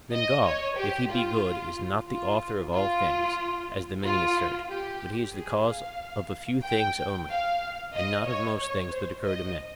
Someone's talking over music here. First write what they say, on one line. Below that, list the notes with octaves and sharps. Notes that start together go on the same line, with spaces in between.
Then God, if he be good, is not the author of all things, as the many assert, but he is the cause of a few things only, and not of most things that occur to men.
D#5
C#5
G4
F4
F4
F4
F4
G4
G#4
F5
G5
F5
D#5
C#5
C#5
C5
D#5